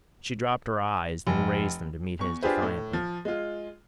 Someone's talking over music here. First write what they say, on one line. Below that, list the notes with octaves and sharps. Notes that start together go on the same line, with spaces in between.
She dropped her eyes, then raised them to meet his defiantly.
F1
E2 C#6
D4 F4 G4 G#4 B4 C5
A2
F3
G#3 F4